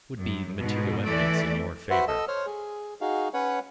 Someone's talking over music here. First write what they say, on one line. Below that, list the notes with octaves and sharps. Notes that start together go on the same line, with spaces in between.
It would be material evidence in your favor.
F#2
G#2 B2
E3 A3 D5
F#4 B4 C5 E5 F#5
A4 D#5 E6
C5 C#5 F6
G#4
D#4 F#4 G#4 F5
C#4 B4 C#5 F#5